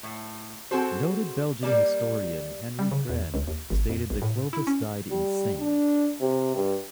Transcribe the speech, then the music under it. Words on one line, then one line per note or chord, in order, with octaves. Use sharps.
Noted Belgian historian Henri Pirenne stated that Clovis died insane.
A2
C4 F#4 G#4 A4 C5
G3 A#3 D5
G3
C#3
E2
C#2
D#2
G#1
F2
B1
A2
E4
C#4
G3
D4
C3
G2